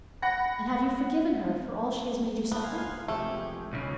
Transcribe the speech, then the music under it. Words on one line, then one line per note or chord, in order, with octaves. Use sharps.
"And have you forgiven her for all she has made you suffer?"
F#5 B5 A#6
C#2 A#3 B3
F5 G#5 C6
E2 C3 F3 G#3 A3 G4
B1 C#3 E3 F3 G#3